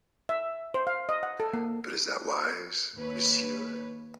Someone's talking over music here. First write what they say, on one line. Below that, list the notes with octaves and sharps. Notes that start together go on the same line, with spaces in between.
But is that wise, monsieur?
E5
C5
F5
D#5
F#5
A4
A#3
D#2 B4 C#5